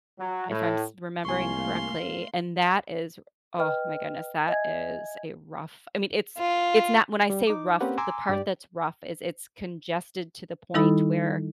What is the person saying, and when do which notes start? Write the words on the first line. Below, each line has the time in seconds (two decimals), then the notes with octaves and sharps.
if I'm s remembering correctly. And that is- oh my goodness- that is a rough, I mean, it's it's not when I say rough, the part that's rough is it's congested to the point where
0.18 F#3
0.49 A2
1.25 C2 A3 A#3 F5 G#5 C6 C#6
3.59 B4 D#5 G5 F6
4.48 D#5 E5 G#5 G#6
6.38 F4
7.30 G3
7.47 D#4 D6
7.81 A#3 C4 C#4 G4 B4 F#5
7.98 G#5 A#5 C6 D6 E6
8.29 G2 G4 D5
10.74 D#3 G3 D#4 E4 A4 B5